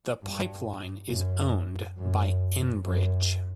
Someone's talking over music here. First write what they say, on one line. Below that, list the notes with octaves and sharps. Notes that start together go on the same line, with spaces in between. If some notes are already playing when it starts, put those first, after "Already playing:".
The pipeline is owned by Enbridge.
G2
F#2
F#2
F#2